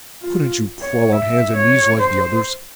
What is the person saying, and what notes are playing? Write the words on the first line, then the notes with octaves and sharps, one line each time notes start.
Couldn't you crawl on hands and knees like the others?
F4
C#5
E5
C#5
C5